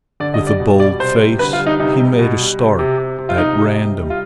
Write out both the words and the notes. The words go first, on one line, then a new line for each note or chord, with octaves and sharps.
With a bold face, he made a start at random.
D3 D5
D#5
G3
D5
B2
G3 D5
C3 C5
G3
D3 B4
F4
G3
D#4
C3 D#4
G3
B2
G3
C3
C3
C3
C3
F4
C3 D#4
C3
C3
G3
F4